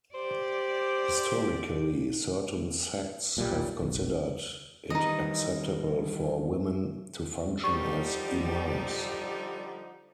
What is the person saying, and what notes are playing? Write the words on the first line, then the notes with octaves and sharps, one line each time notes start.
Historically, certain sects have considered it acceptable for women to function as imams.
G4 C5 D5
B1 A#2 C#3 G3
F#1 B1
D#3 E3 G3 D#4 D#5
D3 F3 G3 D#4 C#6